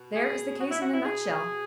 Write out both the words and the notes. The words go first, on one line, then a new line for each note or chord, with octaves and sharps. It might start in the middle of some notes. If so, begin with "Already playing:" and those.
There is the case in a nutshell.
Already playing: B2
G#4
F#4
E4
F#4
E4
G#4
B2